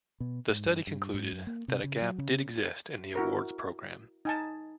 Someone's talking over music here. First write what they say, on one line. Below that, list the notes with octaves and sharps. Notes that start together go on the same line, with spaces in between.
The study concluded that a gap did exist in the awards program.
B2
G#2
G2
G2
G#2
F#2
A#3
C3
C#3
F#3
C#3
E4 F#4 A#4
D#4 G#5 A5